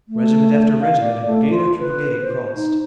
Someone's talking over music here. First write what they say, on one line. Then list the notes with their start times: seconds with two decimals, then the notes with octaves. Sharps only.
Regiment after regiment and brigade after brigade crossed.
0.09 A3
0.81 F5
1.01 D5
1.26 A3
1.50 F4
1.79 B4
2.22 C5
2.56 D#4